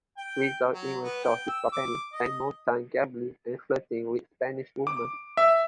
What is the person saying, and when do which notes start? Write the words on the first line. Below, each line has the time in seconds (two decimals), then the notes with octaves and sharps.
Rizal even saw his companions spend more time gambling and flirting with Spanish women.
0.17 G5
0.73 F#3
1.02 B3
1.23 G5
1.48 E6
1.72 D6
2.12 D#5
4.87 D6
5.37 E5